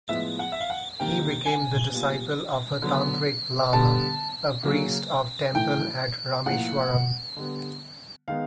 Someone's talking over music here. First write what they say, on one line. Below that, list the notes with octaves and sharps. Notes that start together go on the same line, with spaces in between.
He became the disciple of a Tantric lama, a priest of temple at Rameswaram.
A2 F3 G#3 B3 E5
F#5
E5
F5
F#5
C3 D#3 G3 A#3 G5
G#5
A#2 G3 B3
D3 F#3 B3
D3 G3 B3 A5
C#3 F#3 A#3
A2 E3 A3 G5
A2 F3 A#3 F#5
D3 G3 B3
D#3 G#3 B3 F5